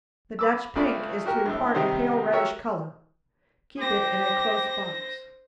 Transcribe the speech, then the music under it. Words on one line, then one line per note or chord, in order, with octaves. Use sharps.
The Dutch pink is to impart a pale reddish color. Keep it in a close box.
B5 D6 E6
C#2 A3 F4 D5 B5
F#4 G4 A#4 F6
A#1 A2
C3 D#3 G3 D#4 C5
F#4 G4 A#4 C#5 E5
G4 C5 A#6